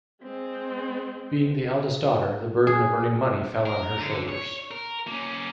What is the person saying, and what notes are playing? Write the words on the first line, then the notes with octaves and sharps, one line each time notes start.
Being the eldest daughter, the burden of earning money fell on her shoulders.
G#3 C4
G#4
A#4
D3
C#5
A#4
A#3 C#4